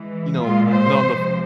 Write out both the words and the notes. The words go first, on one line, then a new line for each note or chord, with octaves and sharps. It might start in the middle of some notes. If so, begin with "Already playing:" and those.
You know, and on the f
Already playing: E3 G#3
A#2 G#3 F4
C5
C3 F3 G#3